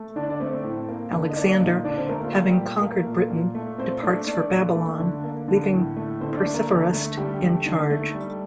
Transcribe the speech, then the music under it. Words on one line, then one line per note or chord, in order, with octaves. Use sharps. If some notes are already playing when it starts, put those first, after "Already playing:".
Alexander, having conquered Britain, departs for Babylon, leaving Perceforest in charge.
Already playing: A3
D3 D4 D5
D5
A3 C4 C5
A2
A#3
D3
D#5
A#3 D4 D5
A#2 D#4 D#5
D3 D4 D5
C4 C5
A3 A#3 A#4
F4
G3 A#3 G4
A#2
A3 A#3 A#4
A#2
A#2
A3
A#2 C4 C5
A3 D4 D5
A3 D4 D5
A#2
A3
D3
A#3
D3
A2
A3
D3 C4 C5
D4 D5
A3
A#3 A#4
D3
A3
D3 G3 G4
A3
D3 D#4
A3
G3